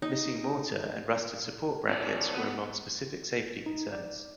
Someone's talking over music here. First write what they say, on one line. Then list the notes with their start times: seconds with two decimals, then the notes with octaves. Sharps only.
Missing mortar and rusted support brackets were among specific safety concerns.
0.02 D#4
1.89 C4 F4 C#5 D5
2.34 B3 B4
3.66 D#4
3.92 D5